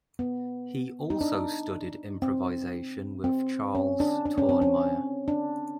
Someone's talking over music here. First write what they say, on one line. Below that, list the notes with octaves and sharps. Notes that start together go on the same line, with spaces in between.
He also studied improvisation with Charles Tournemire.
B3
D#4
D4
C4
C4
C#4
D4
D4
C#4
C4
C#4
D4